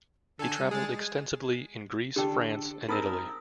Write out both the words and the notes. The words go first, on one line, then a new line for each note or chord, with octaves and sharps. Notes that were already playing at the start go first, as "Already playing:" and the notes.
He travelled extensively in Greece, France and Italy.
D3 A4 G#5
G3
G#3 G#4 A6
D3 D4 G4 A4 G5
C4 D#4 A#4 B5 D#6 E6